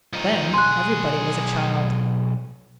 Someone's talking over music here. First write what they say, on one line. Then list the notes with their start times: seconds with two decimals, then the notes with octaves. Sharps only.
Then, everybody was a child.
0.13 F3 D#4
0.54 B1 G#4 C6 F#6